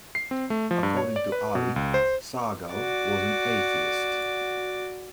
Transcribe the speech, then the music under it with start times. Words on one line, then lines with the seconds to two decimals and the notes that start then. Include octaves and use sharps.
According to Ali, Sahgal was an atheist.
0.15 C7
0.31 C4
0.50 A3
0.71 F3
0.83 G2
0.97 C#5
1.16 D5
1.32 B4
1.55 B2
1.76 C#2
1.94 C5
2.73 F#4 D5